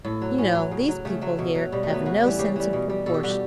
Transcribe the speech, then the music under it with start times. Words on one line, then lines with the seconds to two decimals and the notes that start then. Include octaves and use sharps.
You know these people here have no sense of proportion.
0.04 A2 A4
0.22 F#3
0.38 A2 C#4
0.55 F#3
0.71 C#3
0.88 F#3
1.05 C#3 A3
1.21 F#3 A3
1.39 B2
1.55 F#3
1.72 B2 G3
1.83 A3
1.89 F#3
1.94 B3
2.06 C#3 F#4
2.22 E3 G3
2.39 C#3 G4
2.56 E3 G3
2.73 B2
2.90 G3
3.06 B2 A4
3.14 G4
3.23 G3 F#4
3.31 G4